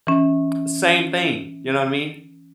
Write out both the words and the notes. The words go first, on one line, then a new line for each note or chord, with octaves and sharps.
same thing, you know what I mean?
E3 C#4